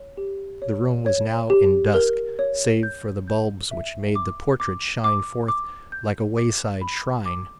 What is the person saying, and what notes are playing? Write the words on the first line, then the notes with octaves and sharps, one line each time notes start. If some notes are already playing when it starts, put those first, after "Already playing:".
The room was now in dusk, save for the bulbs which made the portrait shine forth like a wayside shrine.
Already playing: C#5
G4
C#5
C#5
G4
A#4
C#5
G6
G6
E5
D6
D6
D6
D6
G6
D6
B5
D6